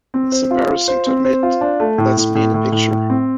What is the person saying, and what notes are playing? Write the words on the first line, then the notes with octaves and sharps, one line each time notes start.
It's embarrassing to admit, but that's me in the picture.
C4
C5
F4
F4
C5
C4
C5
F4
D4
A3
A2
A2
A2
A2
A2
A2
C4